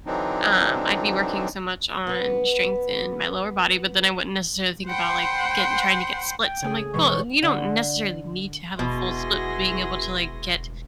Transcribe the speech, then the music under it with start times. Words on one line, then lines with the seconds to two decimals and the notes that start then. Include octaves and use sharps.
um, I'd be working so much on strength in my lower body, but then I wouldn't necessarily think about, like, getting trying to get splits. I'm, like, "Well, you don't necessarily need to have a full split, being able to, like, get
0.06 D3 E3 F#3 C4 D4 D#4
2.07 B3 B4
4.86 C5 F#5 G5 B5 C6
6.42 G5
6.62 C#3 A3 G#4 C#5 G#5 D#6
6.94 B2 E3 G#3 C#6
7.10 C#5 D5
7.42 D3
8.79 E1 B2 E4 F#4 G#4 G#5 C6 A#6